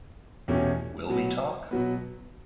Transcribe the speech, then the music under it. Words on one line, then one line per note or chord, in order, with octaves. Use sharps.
Will We Talk?
E2 B2 A3 C#4 G4
B2 F#3 B3
B2 F#3 B3